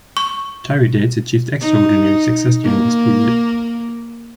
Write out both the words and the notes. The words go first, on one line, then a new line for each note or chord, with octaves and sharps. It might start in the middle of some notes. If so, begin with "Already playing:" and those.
Tiridates achieved extraordinary success during this period.
C#6
D#4
A#3